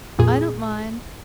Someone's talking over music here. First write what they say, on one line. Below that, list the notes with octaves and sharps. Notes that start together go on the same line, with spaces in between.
"I don't mind."
F2 A#2 G#4